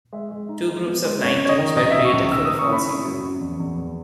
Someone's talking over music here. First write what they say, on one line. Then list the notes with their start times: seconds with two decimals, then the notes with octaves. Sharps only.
Two groups of nine teams were created for the fall season.
0.13 G#3 E5
0.31 G#3
0.49 D#4
0.68 G#3
0.86 B3
1.04 G#3
1.22 F#2 C#5
1.40 F#2 C#5
1.49 D#5
1.59 D#3
1.76 C#2 D#5
1.90 B2 E5
2.05 C#6
2.13 C#2
2.32 D#3 E6
2.45 D#6
2.50 F#2
2.59 C#6
2.68 E4 B5
2.86 C#3 C#6
3.05 F#3
3.23 F#2
3.41 E2
3.60 E2
3.78 E2